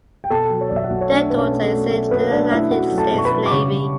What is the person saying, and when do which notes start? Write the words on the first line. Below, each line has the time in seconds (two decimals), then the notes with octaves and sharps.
Their daughter is in the United States Navy.
0.24 G5
0.30 B2 A4 A5
0.50 F#3
0.61 C#5
0.69 B1 D5
0.76 E5
0.84 F#4 F#5
0.90 B1
1.01 C#5
1.11 A3 D4 D5
1.30 B2 B4
1.37 C#4 C#5
1.51 A3
1.64 A4
1.71 A3
1.91 A3 A4
2.11 B2 B3 B4
2.31 A3 D4 D5
2.51 A3 E4 E5
2.71 A3 F#4 F#5
2.92 F#3
2.98 A4 A5
3.12 B2
3.18 C#6
3.25 B4 B5
3.32 F#3
3.46 D6
3.51 C#3 C#5 C#6
3.72 G3